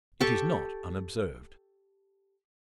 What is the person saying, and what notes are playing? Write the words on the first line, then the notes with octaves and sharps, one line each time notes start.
It is not unobserved.
G4 A4 C#6